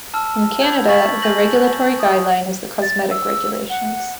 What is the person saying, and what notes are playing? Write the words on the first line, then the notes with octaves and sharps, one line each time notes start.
In Canada, the regulatory guideline is the Cosmetic Regulations.
A5 E6 F6
B5 G6 G#6
C#6 A6 B6 F#7
G#5 G6 A#6 F#7
D#6
A6
E6
F#5